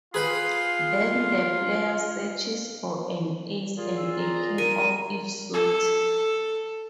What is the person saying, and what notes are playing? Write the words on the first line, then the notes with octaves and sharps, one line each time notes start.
Then the player searches for an Ace and a King of each suit.
F4 G#4 B4 G5 C6
A#2 F4 G#4
E6
A#5
A#4 D#7
A4